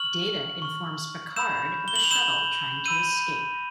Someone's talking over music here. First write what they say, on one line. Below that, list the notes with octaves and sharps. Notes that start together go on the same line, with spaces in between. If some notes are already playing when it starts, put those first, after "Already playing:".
Data informs Picard of a shuttle trying to escape.
Already playing: C#6 F6 F#7
C#6 F6
B5 E6 G6 E7
G7
F#7
F7
B5 E6 G6 E7
B5 E6 G6 D#7